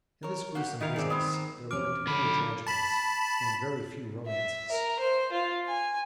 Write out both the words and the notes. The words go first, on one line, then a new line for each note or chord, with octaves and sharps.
In this gruesome business there lurked many tragedies, and very few romances.
A#4 C#5
A#3 F#4 G4
D#3 D#4 E4 A#4 F5
D#3 C4 G#4 D5
G#3 B3
A#3
E2 C#4 D6 F6 D7
D3 F#3 D#4 A4 B5
A5 B5
E5
A#4
C5
F4
G#5